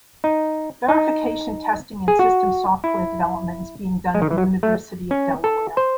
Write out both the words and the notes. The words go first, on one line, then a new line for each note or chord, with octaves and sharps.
Verification testing and system software development is being done at the University of Delaware.
D#4
D#4
G#4
F#4
E4
G#3
D#3
E3
F#3
A3
C#4
A4
C5